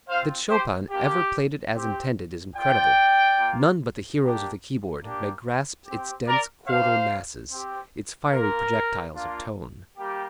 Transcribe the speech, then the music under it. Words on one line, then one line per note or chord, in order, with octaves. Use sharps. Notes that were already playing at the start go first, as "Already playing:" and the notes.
That Chopin ever played it as intended is incredible; none but the heroes of the keyboard may grasp its dense chordal masses, its fiery projectiles of tone.
C4 F4 C5 F5
G4 C5
A#3 D4 F4 G4
C4 G4
C4 F4 D5 G5
A#3 F4
A#3 D4 G4
A#3 D4 G4
C4 G4
A#4 D5
A#3 D4 G4 C5 F5
C4 G4
A#3 F4 A#4
A#3 D4 F4
G3 A#3 G4